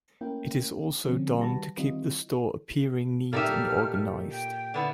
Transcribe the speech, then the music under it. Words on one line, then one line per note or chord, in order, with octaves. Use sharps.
It is also done to keep the store appearing neat and organized.
A3 A#3 C#4 E4 A#4 G5
D3 E3 F3 G#3 C4 C#4
D#3 G3 F#4 B4 A5 A#6
D#3 G3 C4 E4 F4 D#5
A#2 A3 D#4 G4 E5 F6
G5
D3 B3 E4